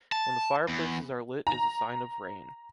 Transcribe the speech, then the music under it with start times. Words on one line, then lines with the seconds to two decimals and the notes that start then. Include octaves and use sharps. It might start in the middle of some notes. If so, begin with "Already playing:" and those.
When the fireplaces are lit is a sign of rain.
0.12 A5
0.69 E2
1.47 A#5